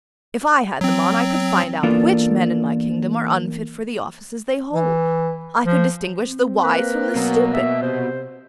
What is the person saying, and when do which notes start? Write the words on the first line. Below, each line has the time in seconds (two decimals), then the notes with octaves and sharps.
'If I had them on I could find out which men in my kingdom are unfit for the offices they hold; I could distinguish the wise from the stupid!
0.81 F#3 C4
1.83 E3 A#3 B3 D4 F4 A4
4.73 E3
5.64 F3
6.26 C4
6.63 A#3 B4
7.16 B2 F#3
7.54 E5
7.82 C3 C5